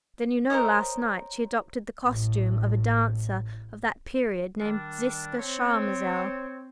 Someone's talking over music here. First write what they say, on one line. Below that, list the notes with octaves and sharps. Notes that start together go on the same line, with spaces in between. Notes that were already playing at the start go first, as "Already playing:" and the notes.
Then you know last night she adopted the costume of a dancer of that period, named Ziska-Charmazel.
A#4 C5 C#5 D#5
A1 A2
D#3 G3 D4
C4 C#5